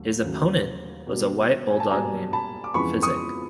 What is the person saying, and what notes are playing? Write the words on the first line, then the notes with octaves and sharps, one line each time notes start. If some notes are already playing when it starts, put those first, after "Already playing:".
His "opponent" was a white bulldog named Physic.
Already playing: D#2 F#3 A3
D#2 C#3 F#3 A3
B2 G3 A#3
G#5
A5
B2 G3 A#3 G#5 A#5
A5 B5
D6
F2 C#3 E3 G#3 B3 B5 C#6
C#6 D#6